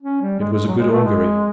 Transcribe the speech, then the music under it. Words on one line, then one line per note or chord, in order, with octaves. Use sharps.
It was a good augury.
C#4
G3
G#3
G#3
F#3
G#3
A3
G#3